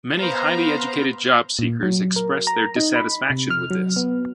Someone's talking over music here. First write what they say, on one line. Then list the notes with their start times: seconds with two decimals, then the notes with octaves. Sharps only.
Many highly educated job seekers express their dissatisfaction with this.
0.17 B3 C5 F5 A#5
1.59 A#2
1.83 F#3
2.16 A#4
2.47 A#5
2.76 D#4
2.96 B5
3.30 C3
3.50 F6
3.71 F#3
3.96 B3